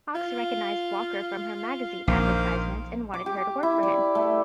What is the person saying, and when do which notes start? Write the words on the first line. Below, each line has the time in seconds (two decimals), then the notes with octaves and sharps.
Hawks recognized Walker from her magazine advertisements and wanted her to work for him.
0.15 F4
2.08 A#1 D#3 A#3 C5 F5
3.14 D6
3.26 G4
3.63 E4
3.83 D5
4.15 A3